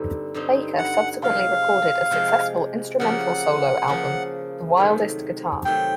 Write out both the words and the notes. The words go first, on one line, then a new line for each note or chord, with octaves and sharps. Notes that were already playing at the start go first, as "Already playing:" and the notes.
Baker subsequently recorded a successful instrumental solo album, "The Wildest Guitar".
Already playing: G2 D3 G3 C4 D#4
G2 D3 G3 C4 D#4
F#5
C3 F3 G#3 F5
C3 F3 G#3
C#3 F3 A#3 F#5
C#3 F3 A#3
C3 D#3 F#3 A3
C3 D#3 F#3 A3 G5